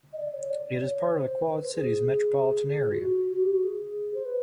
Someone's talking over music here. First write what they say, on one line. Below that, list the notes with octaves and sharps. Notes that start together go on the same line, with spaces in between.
It is part of the Quad Cities metropolitan area.
D#5
D5
C#5
D5
C#5
C5
C5
B4
C5
G#4
G#4
F4
F#4
F#4
G4
F#4
G#4
C5
B4